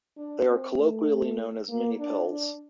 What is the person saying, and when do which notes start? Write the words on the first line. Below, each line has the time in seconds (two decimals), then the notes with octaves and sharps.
They are colloquially known as mini pills.
0.17 D4
0.48 C4
0.78 A3
1.69 A#3
1.99 D4
2.30 D4